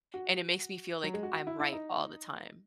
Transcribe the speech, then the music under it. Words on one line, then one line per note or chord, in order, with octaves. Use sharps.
and it makes me feel like I'm right all the time,
F#4
F#3
G#3
F#4
F#4
E4
E4
D#4